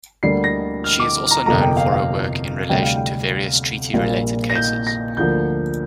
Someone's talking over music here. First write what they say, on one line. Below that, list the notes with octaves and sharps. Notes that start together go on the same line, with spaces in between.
She is also known for her work in relation to various Treaty-related cases.
D2 D3 G3 A#3 C7
A#6
F6
D6
A#5
G1 F2 C3 A#3 A#5
G5
F5
F5
D2 C3 G3 G5
F5
G5
A#1 A#2 G3 A#3 F5
A#6
G6
A#6
D2 D3 F3 A#3 G6